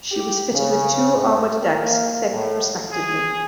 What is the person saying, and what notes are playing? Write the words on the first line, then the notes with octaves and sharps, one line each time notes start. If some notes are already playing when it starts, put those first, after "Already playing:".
She was fitted with two armoured decks, thick, respectively.
G4
C#3
A2
A#3
A2
G#4